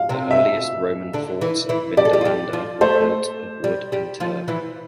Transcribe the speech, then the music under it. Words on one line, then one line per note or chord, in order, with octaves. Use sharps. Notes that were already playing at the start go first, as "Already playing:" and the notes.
The earliest Roman forts at Vindolanda were built of wood and turf.
Already playing: F5
C3 C4
E5
D3 D4
E3 E4
E3 E4
G4 D5
A4
G3 G4
F4
G3 G4
F3 F4
A3 A4 C5
G3 G4
G3 G4
F3 F4
E3 E4